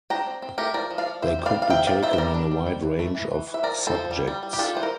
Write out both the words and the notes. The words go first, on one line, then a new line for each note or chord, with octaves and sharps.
They could be taken in a wide range of subjects.
D4 G5 A#5
C4
C4
A3 G4 A#4
F3 A#4 D5
F3
D5 F5
F3
C4 C5 E5
G3
D5 F5
C4
F5
C4 E5 G5
C4 D5 F5
E3 C5 E5
E5
G3 A#4 D5
D4
G3
C4
E3
A3
E3
E3
E3
E5
F3 A#4 D5
F3
A4 C5
F3
G3
G3
G3
G4
D4 F4 A4
E3 C5
A#4